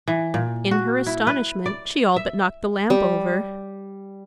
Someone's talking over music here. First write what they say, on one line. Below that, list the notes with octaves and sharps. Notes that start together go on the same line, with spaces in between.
In her astonishment, she all but knocked the lamp over.
E3
A#2
F#4
E4
B4
D5
E5
G3